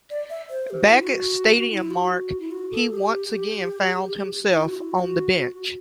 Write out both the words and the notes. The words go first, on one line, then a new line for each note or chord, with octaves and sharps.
Back at Stadium mark he once again found himself on the bench.
D5
E5
C5
G4
F#4
E4
F#4
E4
F#4
E4
F#4
A4
G4
E4
F#4
E4
F#4